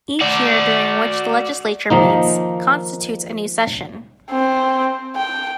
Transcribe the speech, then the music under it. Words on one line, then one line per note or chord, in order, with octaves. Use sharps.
Each year during which the Legislature meets constitutes a new session.
F#4 D5
D#3 F3 A#3 D#4
C4
G5